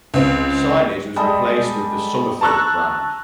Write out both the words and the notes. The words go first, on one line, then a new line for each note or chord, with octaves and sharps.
Signage was replaced with the Somerfield brand.
C#2 C4
G3 G#3 A4 D#5
A5 A#5 C#6 E6 F#6